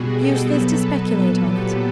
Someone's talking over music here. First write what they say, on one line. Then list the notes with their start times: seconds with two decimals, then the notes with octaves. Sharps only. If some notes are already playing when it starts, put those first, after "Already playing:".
Useless to speculate on it!
Already playing: B2 G3 B3 F#4 G#4
0.13 G4 A4
0.45 B2 F#3 B3 A4 B4
1.12 A#2 F#3 B3
1.44 G4 A4